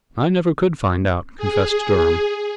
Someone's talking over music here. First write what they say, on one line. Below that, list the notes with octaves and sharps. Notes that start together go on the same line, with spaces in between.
"I never could find out," confessed Durham.
G#4